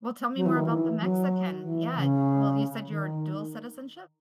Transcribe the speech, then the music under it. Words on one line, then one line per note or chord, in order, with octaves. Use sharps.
Well, tell me more about the Mexican yeah, well, you said you're a dual citizenship?
F#3
E3
D#3
E3
F#3
E3
C#3
D#3